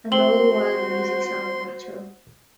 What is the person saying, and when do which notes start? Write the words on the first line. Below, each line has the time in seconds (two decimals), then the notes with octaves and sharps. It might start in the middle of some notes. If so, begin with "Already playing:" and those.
And all the while the music sounds natural.
0.12 C4 F#4 C5 C6 F#7 G7